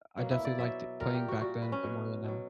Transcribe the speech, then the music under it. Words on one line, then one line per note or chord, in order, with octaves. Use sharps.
I definitely liked it playing back then a bit more than now.
B2 F#3 A#3
E4
D5
B2 F#3 E5
A#2 G3 A#4
G4
F#4
A#2 G3 F#4
B4
C#4
B2 F#3
B2 F#3